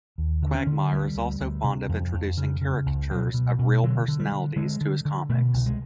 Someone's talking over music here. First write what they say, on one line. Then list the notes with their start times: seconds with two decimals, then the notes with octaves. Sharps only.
Quagmire is also fond of introducing caricatures of real personalities to his comics.
0.18 D#2
0.42 D3
0.55 C#4
0.67 D3
0.91 D2 G3
1.15 D2
1.40 D2
1.64 C3
1.89 F2
2.13 F2
2.37 C#3
2.61 C#3
2.86 C#2
3.11 B2 F#3
3.34 B2
3.59 B2
3.83 D3 F#3
4.08 D3
4.20 G3
4.32 D3
4.56 D3 G#3
4.81 D3
5.05 D3
5.29 B2 A3
5.54 C2
5.66 G#3